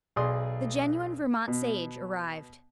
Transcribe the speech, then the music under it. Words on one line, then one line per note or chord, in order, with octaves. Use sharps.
The genuine Vermont Sage arrived.
B1 G#4 D5 C6 D#6
B2